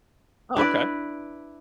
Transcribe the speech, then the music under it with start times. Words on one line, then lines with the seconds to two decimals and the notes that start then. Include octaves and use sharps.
Oh, okay.
0.56 D4 E4 B4 D5